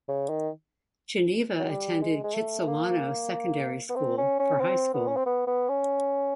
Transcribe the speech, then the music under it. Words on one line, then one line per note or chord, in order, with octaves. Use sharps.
Geneva attended Kitsilano Secondary School for high school.
C#3
D#3
F#3
G3
G#3
G#3
A3
A#3
B3
C4
C#4
C#4
C4
B3
C#4
C4
B3
B3
C#4